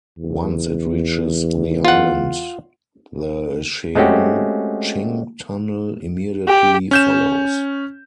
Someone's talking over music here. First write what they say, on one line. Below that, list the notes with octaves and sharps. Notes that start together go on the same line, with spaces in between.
Once it reaches the island, the Cheung Ching Tunnel immediately follows.
E2
F4 F#5
G#3 A3 C4 C#4 F#4 G4
G4
C#4 G6 E7